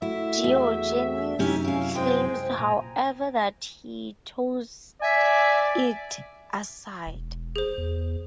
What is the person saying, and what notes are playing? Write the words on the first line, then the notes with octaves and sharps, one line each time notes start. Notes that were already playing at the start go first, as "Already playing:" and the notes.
Diogenes claims however that he tossed it aside.
A3 E4 F#4 E5
E2
F#2 C3 F#3 C#4 D#4 E4 G4
C#4 E4 F5
G#3 C5 G5
A#2 G#5 A#5
D5 E5 G#5
E1
G#4 C5
E2